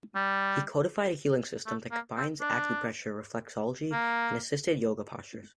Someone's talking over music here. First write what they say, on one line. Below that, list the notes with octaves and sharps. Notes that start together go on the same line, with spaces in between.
He codified a healing system that combines acupressure, reflexology, and assisted yoga postures.
G3
A3
A#3
C4
D4
A#3